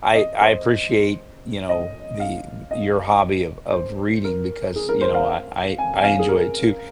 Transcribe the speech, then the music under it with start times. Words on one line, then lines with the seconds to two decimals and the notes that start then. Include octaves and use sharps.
I I appreciate, you know, the your hobby of of reading because, you know, I I I enjoy it, too.
0.15 D#5
0.41 C5
1.69 D#5
2.20 F5
2.71 D#5
3.73 C5
4.24 A#4
4.76 G#4
4.89 A#4
5.01 C5
5.14 F5
5.78 G#5
5.98 G#5
6.04 F5
6.19 G#4
6.29 A#4